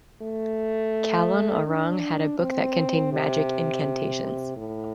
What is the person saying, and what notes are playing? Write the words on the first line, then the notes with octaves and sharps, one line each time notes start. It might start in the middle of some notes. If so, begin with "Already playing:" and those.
Calon Arang had a book that contained magic incantations.
A3
D4
C4
C3
A2